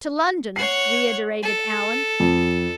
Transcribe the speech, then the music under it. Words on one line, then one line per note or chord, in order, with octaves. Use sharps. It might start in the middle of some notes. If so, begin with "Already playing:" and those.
"To London!" reiterated Allan.
C#5 F#5 C7
A4
F2